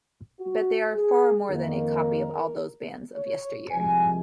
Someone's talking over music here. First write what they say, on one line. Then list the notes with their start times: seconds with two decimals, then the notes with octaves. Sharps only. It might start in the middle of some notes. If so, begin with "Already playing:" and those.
But they are far more than a copy of all those bands of yesteryear.
0.40 F#4
0.95 G#4
1.50 F2 D#3 A#3 D#4 A#4
3.16 C#5
3.70 C2 C3 F3 G#3 G#5